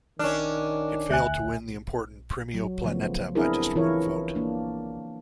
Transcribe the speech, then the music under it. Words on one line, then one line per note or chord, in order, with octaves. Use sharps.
It failed to win the important Premio Planeta by just one vote.
D#3 C#4 D4 F6
D2 E5 G#5 F#6
F#3
C#3 F3 A3 B3
B3 C4 D4 E4 G#4 A#4
E3 E4 F4 A#4 C#5
A#3 D4